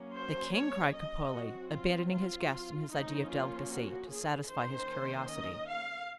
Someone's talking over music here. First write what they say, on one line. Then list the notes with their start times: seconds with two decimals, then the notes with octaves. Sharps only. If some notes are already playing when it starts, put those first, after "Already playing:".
"The king!" cried Cropole, abandoning his guest and his ideas of delicacy, to satisfy his curiosity.
Already playing: F#3 A#3 C#4
0.14 C5
0.54 C#5
0.93 D#5
1.33 F#3 C4 F#4
1.72 F4
2.12 F4
2.92 F3 A#3 C#4 D#4
3.31 F4
3.71 F#4
4.10 G#4
4.49 D#3 A#3 C#4 C5
5.29 D#5
5.68 F5